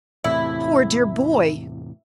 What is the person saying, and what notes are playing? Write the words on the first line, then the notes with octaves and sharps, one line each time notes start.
Poor dear boy!
E2 A2 C3 E4